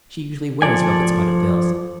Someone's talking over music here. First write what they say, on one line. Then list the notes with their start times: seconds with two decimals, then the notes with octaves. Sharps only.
She usually wears velvet-spotted veils.
0.62 F3 A4 D5 G#5